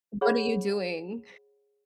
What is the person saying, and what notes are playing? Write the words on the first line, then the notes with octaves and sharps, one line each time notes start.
What are you doing
G#4 C5 C#5 F#5 B5